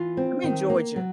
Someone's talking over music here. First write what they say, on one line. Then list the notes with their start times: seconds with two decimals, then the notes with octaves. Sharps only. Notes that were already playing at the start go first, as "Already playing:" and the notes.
I'm in Georgia.
Already playing: E3 F4
0.17 C4
0.44 D#3
0.70 A#3
0.96 F#3